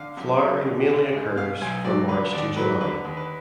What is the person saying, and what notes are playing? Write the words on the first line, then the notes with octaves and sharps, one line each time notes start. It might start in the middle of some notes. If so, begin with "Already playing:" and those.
Flowering mainly occurs from March to July.
Already playing: D3 F5
F#2
F#3
D3
D2
G#3
B2 F5
B1 G#5
F#3 D5
D3 B4
D#2 D5
F#3 B4
D3 B4
D#2
B4